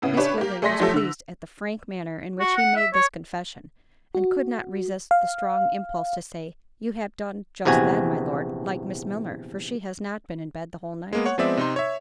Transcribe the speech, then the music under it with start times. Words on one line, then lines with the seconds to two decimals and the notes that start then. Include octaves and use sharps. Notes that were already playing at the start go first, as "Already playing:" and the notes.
Miss Woodley was pleased at the frank manner in which he made this confession, and could not resist the strong impulse to say, "You have done just then, my Lord, like Miss Milner, for she has not been in bed the whole night."
0.02 A2 C#3 B3
0.17 C#4 D4 G4 B4 C#5
0.38 A#3 G4
0.62 A3 G#4 D5 C6 A#6 B6
0.80 F3 F#3 A3 G4 A4 E5
0.93 D3 E6
2.39 F#4
2.57 F#5
2.76 E5
2.94 C#5
4.15 F#4
5.11 F5
7.65 A#1 E2 C3 F#4 G#5
11.13 G#3 A#3 B3
11.26 C#5 F#5
11.38 F3 G#3 B3 C4 D5 E5
11.57 C3 D#4 C6
11.76 C#5 E5